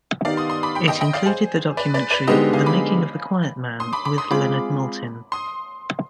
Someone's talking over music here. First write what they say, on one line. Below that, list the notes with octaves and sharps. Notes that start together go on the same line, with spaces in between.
It included the documentary "The Making of the Quiet Man" with Leonard Maltin.
D#3 B3 D#4 G4 D5 F5
C6 D#6
C6 D#6
B5 D6
G5 B5
D#5 G5
D#5 G5
D5 F5
G#4 C5
B4 D5
B4 D5
B4 D5
D3 G#3 B3 D#4 G4 C5 D#5
F5 G#5
B5 D6
C6 D#6
B5 D6
B5 D6
C6 D#6
G#3 C4 F4 G#4 B5 D6
C6 D#6